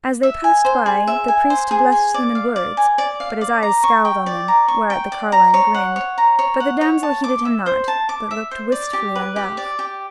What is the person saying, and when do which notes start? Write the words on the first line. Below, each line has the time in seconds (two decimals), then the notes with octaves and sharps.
As they passed by, the priest blessed them in words, but his eyes scowled on them, whereat the carline grinned, but the damsel heeded him not, but looked wistfully on Ralph.
0.23 E5
0.44 G#5
0.65 C5
0.86 G#4
1.07 E5
1.28 G#5
1.50 C5
1.71 G#4
1.92 G#5
2.14 D5
2.35 F5
2.56 D5
2.77 G#5
2.98 D5
3.20 F5
3.41 D5
3.63 A#5
3.84 C#6
4.05 G5
4.26 D5
4.48 A#5
4.68 C#6
4.90 G5
5.12 D5
5.32 A#5
5.54 C#5
5.75 F#5
5.96 C#5
6.18 A#5
6.39 C#5
6.60 F#5
6.81 C#5
7.03 A5
7.24 D6
7.45 E5
7.66 C5
7.88 A5
8.09 D6
8.31 E5
8.51 C5
8.72 D5
8.93 G4
9.15 B4
9.36 G4
9.57 D5
9.79 G4